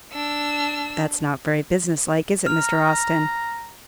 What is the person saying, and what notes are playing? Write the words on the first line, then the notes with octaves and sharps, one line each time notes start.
That's not very business-like, is it, Mr. Austin?
D4 E6
A#5 F6